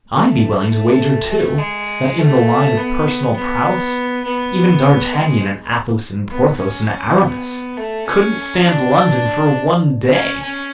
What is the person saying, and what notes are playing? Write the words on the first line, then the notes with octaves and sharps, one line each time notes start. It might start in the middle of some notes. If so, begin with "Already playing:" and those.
"I'd be willing to wager too that, in the line of personal prowess, even D'Artagnan and Athos and Porthos and Aramis couldn't stand London for one day."
A3
A3
A3
G#3
A3
B3
B3
B3
G#3
B3
C#4
B3
A3
C#4
D4
C#4
C#4